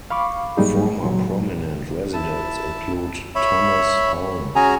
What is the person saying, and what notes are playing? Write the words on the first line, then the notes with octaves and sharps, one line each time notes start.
Former prominent residents include Thomas Holme.
F5 B5 C#6 D6
G#2 F#3 G3 A#3 D#4 G#4
A#2 F#3
E4 A5
C#5 E5 B5
C#4 F#4 G#4 G#5 A#5